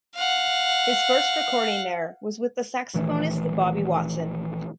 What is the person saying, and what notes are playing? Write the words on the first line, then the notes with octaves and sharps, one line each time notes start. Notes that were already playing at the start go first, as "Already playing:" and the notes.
His first recording there was with the saxophonist Bobby Watson.
F5 F#5
A#1 D#3 E3 A3